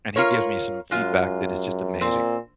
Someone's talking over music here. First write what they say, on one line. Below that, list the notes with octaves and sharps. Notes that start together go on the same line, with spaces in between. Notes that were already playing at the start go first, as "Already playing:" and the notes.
And he gives me some feedback that is just amazing.
F4 A#4 C#5
F#2 G#3 F4
A#2 C4